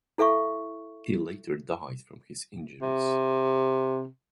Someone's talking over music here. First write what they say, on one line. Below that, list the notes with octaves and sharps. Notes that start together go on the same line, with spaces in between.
He later died from his injuries.
E4 A4 E5 F5 C#6
C3